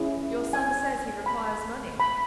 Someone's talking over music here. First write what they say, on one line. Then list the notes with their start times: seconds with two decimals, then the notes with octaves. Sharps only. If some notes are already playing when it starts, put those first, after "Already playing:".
"Your son says he requires money."
Already playing: C#4 E4 G#4
0.53 G#5
1.26 B5
2.00 B5